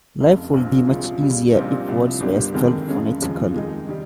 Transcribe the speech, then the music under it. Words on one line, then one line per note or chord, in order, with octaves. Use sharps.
Life would be much easier if words were spelt phonetically.
F1 F2 C#3
A#1 A#2 F3 C4
C#2 C3 F3 G#3
C#2 C#3 G3
A#1 A#2 G3 C4 D#4
C2 C3 F3
G1 G2 G3 A#3
F1 F2 D#3 G#3
F2 C#3 G#3 C#4
F1 D#2 C#3 F3 G#3
F2 D#3 G#3 D#4
D#3 G3